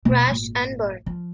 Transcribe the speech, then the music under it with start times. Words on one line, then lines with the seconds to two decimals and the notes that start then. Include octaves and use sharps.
Crash and burn.
0.05 D#2 B2
0.27 G#1 A#2
1.06 F3